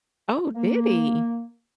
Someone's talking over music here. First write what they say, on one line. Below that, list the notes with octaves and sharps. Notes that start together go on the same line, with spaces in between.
Oh, did he?
A#3